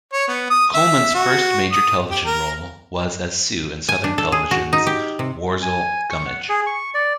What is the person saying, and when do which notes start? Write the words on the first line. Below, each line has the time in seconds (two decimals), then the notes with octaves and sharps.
Coleman's first major television role was as Sue in Southern Television's "Worzel Gummidge".
0.13 C#5
0.28 B3
0.50 D#6
0.74 E5
1.15 F#4
1.72 D#6
2.10 G4
2.25 A#4
3.89 G#5
4.04 D4
4.18 A4
4.32 G#4
4.51 F#4
4.73 D#4
4.87 G4
5.19 C3
5.63 G#5
6.10 C#6
6.26 F#5
6.49 G#4
6.66 C#6
6.94 D5